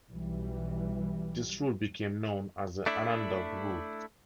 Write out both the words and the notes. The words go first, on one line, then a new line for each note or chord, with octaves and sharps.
This route became known as "the Annandale Route".
B1 E3 G3
A3 D4 E4